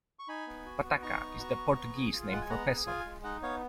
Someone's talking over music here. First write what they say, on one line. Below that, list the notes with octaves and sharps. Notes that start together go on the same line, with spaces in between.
"Pataca" is the Portuguese name for peso.
C#6
D#4 G#5 B5
B3
F#4
B3
D#4 A#5 C#6
B3
F#4
B3
B3
G#4
F4
F5
G#3 F#5
G#5
B3 F#5 A#5
G#4
F4 F5 G#5
G#3
D#4 D#5 F#5
B3 C#5 F5